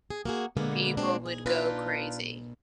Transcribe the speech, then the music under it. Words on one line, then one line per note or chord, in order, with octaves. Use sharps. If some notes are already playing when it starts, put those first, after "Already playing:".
People would go crazy.
G#4
A#3 F#4 G#4
D3 G#3 A#3 B3
G#3 A#3 C4 D4
G#4
D4 D#4 F4 B4